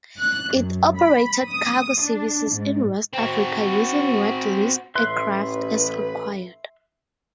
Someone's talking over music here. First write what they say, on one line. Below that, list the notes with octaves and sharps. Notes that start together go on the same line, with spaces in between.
It operated cargo services in West Africa using wet-leased aircraft as required.
F#6
F#2
B5
D#6
D4
G#2
C4 F#4
A1 B4 E5 C6 F#6